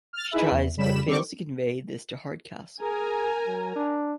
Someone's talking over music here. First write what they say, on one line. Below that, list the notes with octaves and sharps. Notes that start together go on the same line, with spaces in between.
She tries but fails to convey this to Hardcastle.
F6 A6
D#4 E4 G#4 B4 E5
E2
F2 C#3 G3 B5 E7
D#3 G3 C4 C#6 D6
G#4 A#4 G#5 A#5
F#3
D4